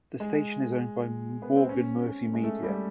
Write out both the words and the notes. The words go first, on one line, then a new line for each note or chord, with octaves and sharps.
The station is owned by Morgan Murphy Media.
G#3
B3
C4
C#4
G#3
A3
G3